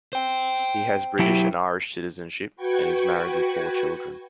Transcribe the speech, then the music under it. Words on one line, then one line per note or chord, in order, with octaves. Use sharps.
He has British and Irish citizenship, and is married with four children.
C5 G5
F#3 E4 G4
F#4 B4 G5 C#6 G#6